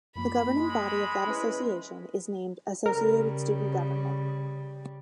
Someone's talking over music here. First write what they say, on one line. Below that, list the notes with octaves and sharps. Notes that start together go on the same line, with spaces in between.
The governing body of that association is named "Associated Student Government".
F#2 F3 A#3 B5
G#3
C#4 E4 B4
C#3 G3 A#4